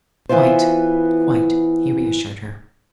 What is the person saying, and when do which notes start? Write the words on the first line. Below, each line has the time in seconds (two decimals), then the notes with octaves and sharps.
"Quite--quite," he reassured her.
0.29 E3 B3 E4 F4 C5